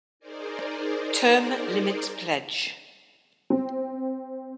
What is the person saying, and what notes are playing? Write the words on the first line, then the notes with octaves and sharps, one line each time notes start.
Term Limits pledge.
D#4 G#4 A#4 C5 D5
C4